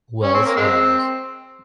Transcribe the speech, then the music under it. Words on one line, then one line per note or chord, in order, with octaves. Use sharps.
Wells Homes.
C#4
C4
A#3
G#3 C4